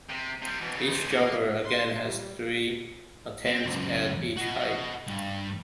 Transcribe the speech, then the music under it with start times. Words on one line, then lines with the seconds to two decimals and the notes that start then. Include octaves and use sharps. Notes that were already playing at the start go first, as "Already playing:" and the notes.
Each jumper again had three attempts at each height.
0.10 C3
0.42 C3 G3
0.61 B2 E3
0.75 C#3
0.89 C#2 F3
1.11 A#3
1.64 C6
2.04 G3
3.46 C4
3.65 C#2 F#2
4.37 F#4 D#5
5.07 G2